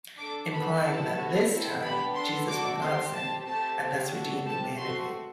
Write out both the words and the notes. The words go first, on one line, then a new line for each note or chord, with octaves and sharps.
Implying that this time Jesus will not sin, and thus redeem humanity.
D4 A4 D6
B3 D4 A4 B5
B3 E4 A4 A5
B3 F#4 A4
C4 E4 A4
B3 D4 G4 B5
B3 D4 A4 C6
D4 F#4 A4 D6
C4 G4 C6
C4 G4 A5
A3 C4 G4 A5
A3 C4 G4
D4 F#4 A4
C4 G4 A5
A3 C4 F#4 A4 C6